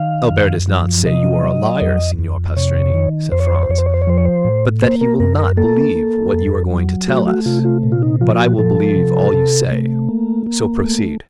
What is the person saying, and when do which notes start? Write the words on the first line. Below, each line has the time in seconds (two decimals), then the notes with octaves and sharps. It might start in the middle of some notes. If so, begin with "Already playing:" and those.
"Albert does not say you are a liar, Signor Pastrini," said Franz, "but that he will not believe what you are going to tell us,--but I will believe all you say; so proceed."
Already playing: D#3 F5
0.31 F#2
0.69 F3
1.06 C3 D#5
1.44 F#3
1.81 F2
2.19 F2
2.56 C3 C#5
2.94 D#3
3.32 F2 C5
3.40 C#5
3.47 C5
3.55 C#5
3.63 C5
3.69 F2 C#5
3.78 C5
3.86 C#5
3.94 C5
4.02 C#5
4.07 F3 C5
4.18 C#5
4.25 C5
4.45 A2
4.82 A#3 C5
5.01 A#4
5.20 F#2 A#4
5.39 A#4
5.57 A#3 A4
5.95 A#3
6.33 F2
6.71 F#3
7.08 A3 F#4
7.27 F#4
7.46 C3 F4
7.65 F4
7.83 A#2
7.92 F4
8.03 D#4
8.21 F3 F4
8.35 F4
8.40 F#4
8.58 F3 A4
8.96 C3
9.34 C3
9.71 A3
10.09 A#3
10.47 A#3
10.84 A3